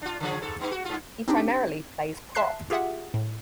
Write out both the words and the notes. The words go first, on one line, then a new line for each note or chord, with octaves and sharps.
He primarily plays prop.
D4 F4
C#3 F3 G#4
G#2 A4
G#2 B3 D#4
F#4
G2 F4
C4 D4 D#4 G4
E5 A5 C6 F#6 C7
F4 G4 G#4 E5 F#5
A2